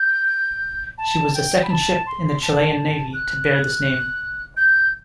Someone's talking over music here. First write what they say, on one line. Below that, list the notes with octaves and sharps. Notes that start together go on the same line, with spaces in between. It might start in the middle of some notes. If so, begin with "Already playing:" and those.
She was the second ship in the Chilean Navy to bear this name.
Already playing: G6
A5
G5
B5
A5
C6
A5
F#6
G6